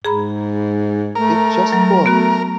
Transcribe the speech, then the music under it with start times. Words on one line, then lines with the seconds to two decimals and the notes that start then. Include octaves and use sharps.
It just worked.
0.05 G#2 G#4 A#5 B5
1.15 A3 A#4
1.73 F#3
2.06 A3 B3 F#4